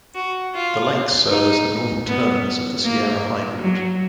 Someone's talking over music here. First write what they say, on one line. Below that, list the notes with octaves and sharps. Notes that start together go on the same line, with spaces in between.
The lakes serve as the northern terminus of the Sierra High Route.
F#4
F4
D#4
B3
A#3
F#3